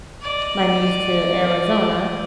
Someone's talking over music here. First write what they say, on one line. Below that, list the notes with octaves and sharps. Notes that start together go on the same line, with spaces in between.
my niece to Arizona,
D5 D#5